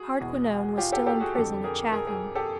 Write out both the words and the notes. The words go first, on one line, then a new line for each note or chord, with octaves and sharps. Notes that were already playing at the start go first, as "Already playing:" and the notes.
Hardquanonne was still in prison at Chatham.
Already playing: F#4 G#4
E2 B2
F4 G4
G4 A4
G4 A4
F#4 G#4
F2 D3 G4 A4
G#4 A#4
G#4 A#4
G#4 A#4
G4 A4